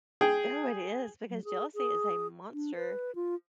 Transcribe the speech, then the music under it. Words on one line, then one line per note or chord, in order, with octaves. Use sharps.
Oh, it is because jealousy is a monster.
G#4 G5
F#3
G#4
G#4
D4
B4
F4